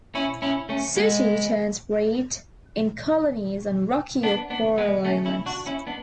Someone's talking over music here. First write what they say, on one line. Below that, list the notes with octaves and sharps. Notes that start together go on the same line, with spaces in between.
Sooty terns breed in colonies on rocky or coral islands.
C#4 E4
C#4 E4
A3 C#4
G#3 B3
B3 D4
B3 D4
G#3 B3
A3 C#4
C#4 E4
D4 F#4
C#4 E4
B3 D4